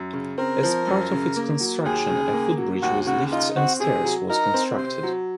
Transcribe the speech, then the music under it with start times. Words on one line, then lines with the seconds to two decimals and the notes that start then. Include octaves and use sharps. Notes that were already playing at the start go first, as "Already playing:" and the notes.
As part of its construction, a footbridge with lifts and stairs was constructed.
Already playing: F#2
0.13 C#3
0.38 C4 A#4
0.63 F3
0.87 F#2
1.12 C#3
1.36 A#3
1.60 F#3
1.85 D#2 G#4
2.09 C#3
2.33 A#3
2.57 F#3
2.82 D#2 F#4
3.06 C#3 F#4
3.31 D#4 F4
3.56 C4 F#4
3.80 C3 G#4
4.04 F#3
4.29 D#4 A#4
4.54 C4
4.77 C3 C5
5.03 F#3